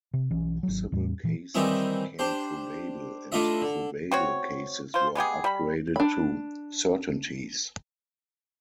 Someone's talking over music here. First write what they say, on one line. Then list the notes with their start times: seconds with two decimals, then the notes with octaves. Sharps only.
"Possible cases" became "probable", and "probable" cases were upgraded to certainties.
0.14 C3
0.31 B1 E3 C#4
0.63 G#1 F#3
0.92 E2 A2 G3
1.24 A#2 E3
1.55 D#3 E3 G3 C4 D#4 E4
2.19 D4 G4 C5
3.32 A3 D4 E4 F4 D#5 E5
3.62 D3
4.11 C4 F#4 C#5
4.94 F4 C5
5.15 G#3 B3 G4 G#4
5.44 G3 B5
5.96 D4 B5